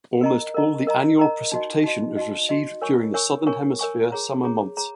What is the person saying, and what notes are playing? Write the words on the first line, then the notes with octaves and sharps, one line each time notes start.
Almost all the annual precipitation is received during the southern-hemisphere summer months.
A#4 D#5 A#5
A#4 D#5 A#5
A#4 D#5 A#5
A#4 D#5 A#5
D#4 F#4 D#5
D#4 F#4 D#5
D#4 F#4 D#5
D#4 F#4 D#5
A#4 C#5 G#5 C#6
A#4 C#5 G#5 C#6
A#4 C#5 G#5 C#6
A#4 C#5 G#5 C#6
G#4 C#5 A#5
G#4 C#5 A#5
G#4 C#5 A#5